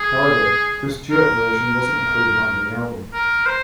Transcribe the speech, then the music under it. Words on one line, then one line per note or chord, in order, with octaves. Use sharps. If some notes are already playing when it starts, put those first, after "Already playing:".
However, this duet version wasn't included on any album.
Already playing: G#4
A#4
A#4
C5